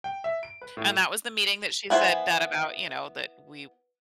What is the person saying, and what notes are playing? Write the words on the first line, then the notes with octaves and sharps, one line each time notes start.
And that was the meeting that she said that about, you know, that we
G5
E5
D7
B4
A2
B3 E4 C5 G#5